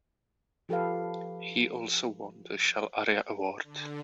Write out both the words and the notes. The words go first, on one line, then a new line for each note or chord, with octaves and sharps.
He also won the Shell Aria Award.
F3 G4 A4 B4 F5
D3